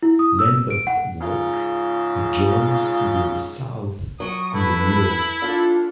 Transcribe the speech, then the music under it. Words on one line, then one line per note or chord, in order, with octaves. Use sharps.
Lambeth Walk adjoins to the south in the middle.
E4
D#6
E6
D7
F#5
G#2 C#3 F4
F#3 C#6 D#6
E4 A4 B4
D4 F4 A4